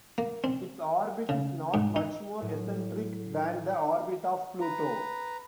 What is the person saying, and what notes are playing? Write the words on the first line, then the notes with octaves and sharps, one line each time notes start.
Its orbit is not much more eccentric than the orbit of Pluto.
A#3
C4
C#3
G#2
D#4
A2 F#3
B4 A#5